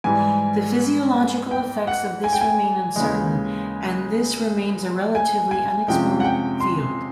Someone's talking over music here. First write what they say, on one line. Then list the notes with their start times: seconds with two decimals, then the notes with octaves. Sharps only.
The physiological effects of this remain uncertain, and this remains a relatively unexplored field.
0.04 G#2 E3 G3 G#5
1.51 G5
1.87 F#5
2.24 G#5
2.33 G5
2.41 G#5
2.96 D#2 C#3 E3 G#3
5.15 G#5
5.51 G#5
5.88 F2 C3 F3 G#3 C#4 G5
6.20 F#5
6.25 G5
6.60 C6